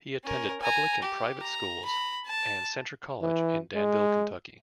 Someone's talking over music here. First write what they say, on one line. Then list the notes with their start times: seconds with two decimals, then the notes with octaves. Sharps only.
He attended public and private schools and Centre College in Danville, Kentucky.
0.25 C#4 A#4
0.61 G#5 A#5
1.03 G4
1.41 A#5
1.85 A#5 B5
2.25 A5
3.22 E3
3.75 G#3